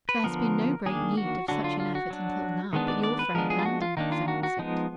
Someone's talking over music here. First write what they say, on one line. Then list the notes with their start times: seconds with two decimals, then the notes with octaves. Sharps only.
There has been no great need of such an effort until now, but your friend Brandon presents it.
0.09 B4
0.24 D3 F3 B3 A#4
0.86 D#3 A#3 D4 G#4
1.17 F#4
1.48 D3 F#3 D4 F#4
1.64 F4
1.80 F4
1.95 F#4
2.10 F#3 D4
2.73 D#3 G#3 B3 D4
2.88 D5
3.03 D5
3.19 B4
3.35 F3 G#3 B3 D4 A#4
3.50 G#4
3.59 F4
3.66 F#4
3.82 F4
3.97 D#3 A#3 D4 D#4
4.12 F4
4.28 F#4
4.43 F#4
4.59 F3 G#3 B3 D#4